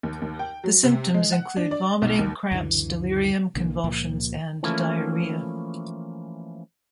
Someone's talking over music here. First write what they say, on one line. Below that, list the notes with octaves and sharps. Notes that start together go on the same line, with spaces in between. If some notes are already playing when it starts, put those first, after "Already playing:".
The symptoms include vomiting, cramps, delirium, convulsions, and diarrhea.
D#2
D#2
G5
F#3
C3
G#3
F#5
D4
D5
B1
D#2
C#2 F#2 D3 E3
B1 D3 A#3
C#2 A#2 F3 A#3
E3 F3 A3 A#3 C#4 E4